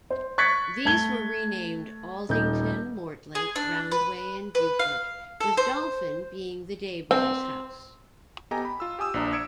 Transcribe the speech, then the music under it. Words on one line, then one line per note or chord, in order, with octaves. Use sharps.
These were renamed Aldington, Mortlake, Roundway and Beaufort, with Dolphin being the day-boys house.
C5
C#6 F#6 G#6 A6 B6 C#7
A3 A5 G#6 G7
D#1 D#4 G6
G#4
D4
B4
B4
F5
A4
C5
C4
B3 G4 A4 D#5 G#5 A#5
B5
F4 E6
G4 G#5 D#6 E6
A#1 F3 D4 D5 A#5
D#6 E6 G#6 C#7 D7 E7